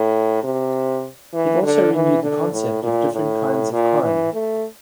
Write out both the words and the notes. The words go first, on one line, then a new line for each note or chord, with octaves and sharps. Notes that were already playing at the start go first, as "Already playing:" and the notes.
It also renewed the concept of different kinds of a crime.
Already playing: A2
C3
E3
D3
E3
D3
A2
A#2
A2
A#2
E3
A3